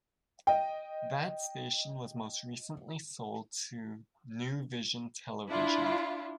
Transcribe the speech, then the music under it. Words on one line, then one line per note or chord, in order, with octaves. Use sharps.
That station was most recently sold to New Vision Television.
D#5 G5
D4 E4 F4